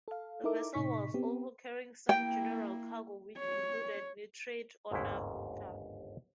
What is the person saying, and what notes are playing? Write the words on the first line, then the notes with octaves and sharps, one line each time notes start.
The vessel was also carrying some general cargo which included nitrate or naphtha.
A4 F5
D#4 E4 A4 A#4 E5 D6
A2 C3 D#4 C#6 B6
B3 C4 G4
A#3 E4 G5
C#5
G1 D#2 G#2 C#3 E4